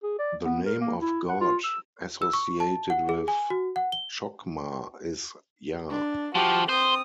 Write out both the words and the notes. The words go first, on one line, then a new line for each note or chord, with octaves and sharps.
The name of God associated with Chokhmah is Yah.
G#4
D5
B3
A#4
A#3
E4
F#5
F4
E6
E6
C#6
A5
F#5
G#4
G#5
F#4
F#5
G7
D4
F3 F#4 G4
C4 C5 D#6